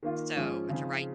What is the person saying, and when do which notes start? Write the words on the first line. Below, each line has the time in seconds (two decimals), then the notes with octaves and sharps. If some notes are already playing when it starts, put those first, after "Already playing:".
so, to write
0.03 D#3 A#3 F4
0.36 G#2 F3 G#3 C#4 F4
0.69 C#3 F3 C4 D#4 G#4